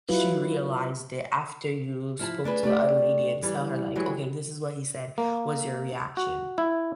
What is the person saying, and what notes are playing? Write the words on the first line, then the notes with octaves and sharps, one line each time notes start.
she realized it after you spoke to the other lady and tell her like, "Okay, this is what he said. What's your reaction?"
F#3 E4 F4 B4
F3 E4 A5
A3 D4 G#4 B4
A3 D4 G4 D5
E3 G3
E3 F#3 G#3 G4
A#3
F#4
E4